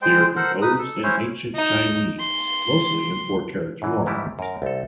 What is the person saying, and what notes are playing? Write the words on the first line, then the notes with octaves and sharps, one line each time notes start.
They are composed in ancient Chinese, mostly in four-character lines.
G#3 C5 G5
A4 A#4 C5 F#5
D#4 B4 D#6
A4
C#4 E4 C5 C#5
D#4
C6
F#2 E3
G#2 D#3 E3 G3 E4 G4
F#2 A#4
C2 A4